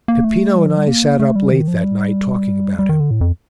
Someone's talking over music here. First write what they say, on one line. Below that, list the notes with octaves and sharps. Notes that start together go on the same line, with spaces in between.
Peppino and I sat up late that night talking about him.
A#3
A3
G3
F3
G3
A#3
A3
G3
D#3
F3
G3
G3
D#3
D3
A2
F2